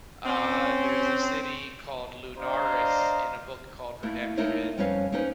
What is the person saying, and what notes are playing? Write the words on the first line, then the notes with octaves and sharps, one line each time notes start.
Uh, there's a city called Lunaris in a book called Redemption
C4 C#4
D4 C5 D5 D#5 F5 A#5
A3 A#3 E4
A3 A#3 D#4 E4 A#4 C#5
F2 G3 C#4 B4 C#5 F5
A#3 C#4 D#4 G#4 B4 C5